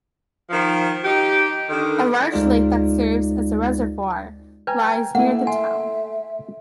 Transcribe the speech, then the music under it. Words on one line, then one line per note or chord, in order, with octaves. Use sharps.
A large lake that serves as a reservoir lies near the town.
D#3 F3
D#4 G4
D3 D#3
D2 G#3 D#4 F4 D5
B4 G5 G#5 A#5
A3 A#3 E4 D#5 F#5
E5 G#5 C6